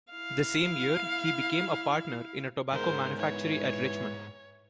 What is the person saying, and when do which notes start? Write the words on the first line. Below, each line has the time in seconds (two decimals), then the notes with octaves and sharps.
The same year, he became a partner in a tobacco manufactory at Richmond.
0.11 E4 F5
2.72 G#2 G#3 B3 A#4 C5
3.20 E3 C#5